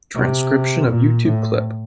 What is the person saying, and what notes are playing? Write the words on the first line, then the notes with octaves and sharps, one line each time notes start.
Transcription of YouTube clip.
C3
A#2
A2